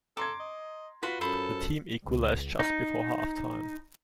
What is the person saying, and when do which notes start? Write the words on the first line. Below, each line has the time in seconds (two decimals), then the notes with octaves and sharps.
The team equalized just before half-time.
0.17 A4 A#5 C6 D6 G#6
0.40 D#5
1.03 F4 F#4 B4 B5 C6
1.21 F#2 A4 C5 B5
2.04 C#2
2.60 D#4